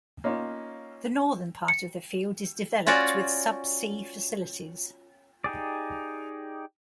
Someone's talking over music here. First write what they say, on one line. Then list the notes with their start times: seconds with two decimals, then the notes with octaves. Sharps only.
The northern part of the field is developed with subsea facilities.
0.24 A#3 C#4 D#4 F4
1.68 C#7
2.87 C#4 F4 F#4 D5
5.44 D#4 G4 G#4 D5